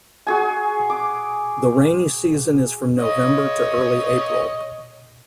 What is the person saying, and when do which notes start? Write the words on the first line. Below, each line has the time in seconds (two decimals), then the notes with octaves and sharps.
The rainy season is from November to early April.
0.27 F#4 G#4 G#5
0.90 D6
2.99 C#5 D#5 D#6